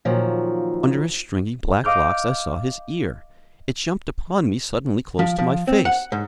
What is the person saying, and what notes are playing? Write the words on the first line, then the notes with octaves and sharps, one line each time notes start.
Under his stringy black locks I saw his ear; it jumped upon me suddenly close to my face.
A#2 D#3 F3 F#3
D#5 F5 D6 F6 G6
F3
F3
C4
F#5
G#2